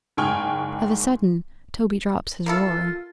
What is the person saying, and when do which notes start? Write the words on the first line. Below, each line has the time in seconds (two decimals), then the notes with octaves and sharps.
Of a sudden Toby drops his Aurora.
0.17 F#1 G#2 G5 G#5 C#6 F6
2.46 A#3 E4 F4 A4